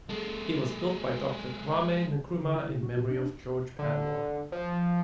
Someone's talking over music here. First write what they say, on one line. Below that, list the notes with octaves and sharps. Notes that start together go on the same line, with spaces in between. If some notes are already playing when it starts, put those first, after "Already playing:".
It was built by Doctor Kwame Nkrumah in memory of George Padmore.
G#3 A4
D3
E4
C3
F#4
A#2
D4
D3
F3